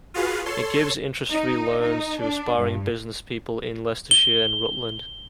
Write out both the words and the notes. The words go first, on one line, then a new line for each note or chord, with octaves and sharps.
It gives interest-free loans to aspiring businesspeople in Leicestershire and Rutland.
F4 F#4 G#4 B4 F5
A4 C#5 C6
D#4
D#4
D4
G2
G7